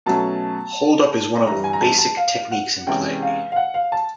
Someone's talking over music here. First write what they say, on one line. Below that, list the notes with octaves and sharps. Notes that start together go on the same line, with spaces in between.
Hold up is one of basic techniques in play.
B2 F#3 A3 C#4 A5
G2 E3 G3 A#5
G#5
A#5
A5
A5
F5
F#5
E2 C3 E3 G#3 C#4 G5
F5
F5
F#5
F5
A5